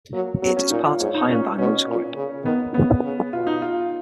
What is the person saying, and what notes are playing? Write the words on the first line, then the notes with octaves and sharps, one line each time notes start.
It is part of Hyundai Motor Group.
F#3 A#3
F#3 B3
C#4
A#2 D#4
F4
G#2 C#5
D#4
A#2 C#4
B2 C#4
A#2
C#3
D#3 B3
C#3 B3
C#3
B2 F4
D#4
F4